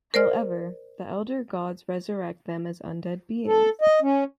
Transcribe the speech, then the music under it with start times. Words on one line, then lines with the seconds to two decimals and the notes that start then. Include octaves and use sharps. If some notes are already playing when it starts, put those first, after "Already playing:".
However, the Elder Gods resurrect them as undead beings.
0.14 A#4 C5 D5 F6
3.47 A4
3.81 D#5
4.02 C#4